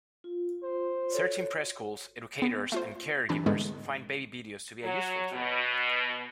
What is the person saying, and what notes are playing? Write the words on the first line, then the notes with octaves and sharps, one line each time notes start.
Certain preschools, educators and care givers find baby videos to be a useful tool.
F4
C5
F#4 A4 C#5
B3
A3 F4 C5
C3 E3 D4 A5 B5
G#2 D3 G#3 A3 B3
F#3
B2